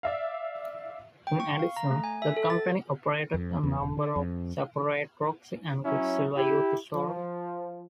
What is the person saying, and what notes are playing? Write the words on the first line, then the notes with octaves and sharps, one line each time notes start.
In addition, the company operated a number of separate Roxy and Quiksilver Youth stores.
D5 E5 F5
G5
C#6
F5
A#5
A3
G#5
E5
A4
A6
F2
E2
E1
D3
F2
F#3 C#4 E4
E4 G4
F3